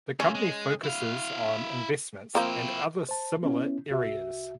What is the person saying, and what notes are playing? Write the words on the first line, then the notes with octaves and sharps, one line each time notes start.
The company focuses on investments and other similar areas.
A3 C#4 F4
G#3
E4 F5
F3 A#3 C4 E4 G5
C5 A5
B3 C#4 E4
C2 F#4 E5